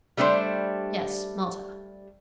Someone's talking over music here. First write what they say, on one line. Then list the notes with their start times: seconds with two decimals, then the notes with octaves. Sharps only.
"Yes; Malta."
0.17 G3 A3 D4 G4 C5